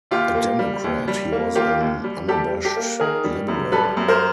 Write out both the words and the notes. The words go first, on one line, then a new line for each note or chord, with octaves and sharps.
A Democrat, he was an unabashed liberal.
D#2 F4 G4
A#3
G3
D#2
G3
A#3
A#3 F4 G4
D#2
G3
G3 G4 A4
G3
G4 A4
A#3
D#3 G#4 A#4
G3
F#2
G3 A4 B4
F#2
A#4 C5